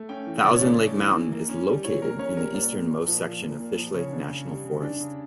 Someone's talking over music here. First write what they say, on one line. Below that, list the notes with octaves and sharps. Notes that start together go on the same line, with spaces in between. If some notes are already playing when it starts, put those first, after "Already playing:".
Thousand Lake Mountain is located in the easternmost section of Fishlake National Forest.
Already playing: A3
C#4 G5
E3
C#3 D5
C#5
A3 D5
C#4
E3
E3
A#3
C#4
G3
E3 C#5
A#3 A#4
C#4 C#5
G3 A#4
A#2 D5
A#3
A#2
F3
A#2
A#3
A#2
F3
C#3 C#5
D4
C#3
G3
C#3
D4
C#3